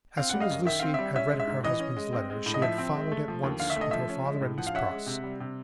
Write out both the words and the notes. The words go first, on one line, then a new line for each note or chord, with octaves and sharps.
As soon as Lucie had read her husband's letter she had followed at once with her father and Miss Pross.
C4 F5
G3 F#5
D#5 F5
F#2
D#3 E5
C4 F5
G3 E5
C#4 E5
G#3
E5
G#2
E3 D#5
C#4
G#3
C4
G#3
A2
D#5
F3 E5
C4
G#3
A3
F3
D#2
D3 F5
E5
A3 D#5
F3 E5
C#4
G#3
A2
F3 F#5
F5
C#4 E5 F#5
G#3
C3
G3
C3